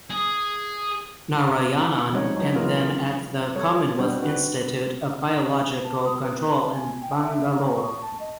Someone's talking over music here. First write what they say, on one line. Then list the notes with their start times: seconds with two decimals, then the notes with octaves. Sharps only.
Narayanan and then at the Commonwealth Institute of Biological Control in Bangalore.
0.10 G#4
2.12 F3 G3 G#3 D#4 C#5
2.37 F#3 D#4
2.56 E3 A#3 F4 G#4 A#4 B4
3.55 G3 A4 C#5
3.98 G3 C4 D4 F#4 B4 C5
4.22 D4 F#4 B4
5.84 A5
6.05 D#6
6.23 B4
6.37 B4
6.60 A5
6.73 G#5
7.02 G5
7.23 E5
7.55 A#5
7.76 C#6
8.02 A5
8.20 D#5